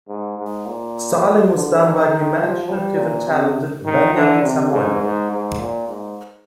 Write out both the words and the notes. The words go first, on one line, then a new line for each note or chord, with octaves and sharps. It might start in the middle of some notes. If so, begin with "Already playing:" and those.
Styling was done by "the imaginative and talented Veniamin Samoilov".
G#2
G#2
A#2
D3
D#3
D#3
F3
G3
A#2
C3
D#3
D3
C3
G#2
G#2
G#2
A#2
G#2